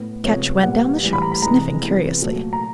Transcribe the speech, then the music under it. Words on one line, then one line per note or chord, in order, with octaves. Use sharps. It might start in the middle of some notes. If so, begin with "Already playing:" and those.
Ketch went down the shop, sniffing curiously.
Already playing: A2 B3
C3 F3 G#3 B3 C#5
A#2 G3 B3 F#5
A2 E3 G3
B5
A#5
B5
C3 E3 G#3 A#5
C3 E3 G#3 B3
A#2 F#3 A3
A#5